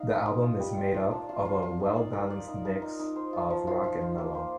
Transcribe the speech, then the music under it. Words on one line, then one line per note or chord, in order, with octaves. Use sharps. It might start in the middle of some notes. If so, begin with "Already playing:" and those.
The album is made up of a well-balanced mix of rock and mellow.
Already playing: D#4 F5
A#4
A#4
F4
G3
F4
F4
D4
F4
F4
F4
D#4
D5
A#4
D5
D#4
A#4
D#4
D#4
C5
F4
F3
F4
F4
C5
A#3
C5